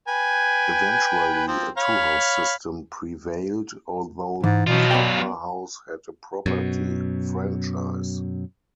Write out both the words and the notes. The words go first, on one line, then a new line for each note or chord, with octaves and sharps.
Eventually a two-house system prevailed, although the Upper House had a property franchise.
B4 G5 G#5
F3 C4
C#5 F5 B5
G#2 E3
B2 F#3 F4
B3 D5 G5
F#2 B2